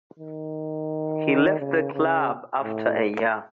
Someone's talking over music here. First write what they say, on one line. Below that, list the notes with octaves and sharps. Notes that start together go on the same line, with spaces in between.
He left the club after a year.
D#3
C#3
C#3
A2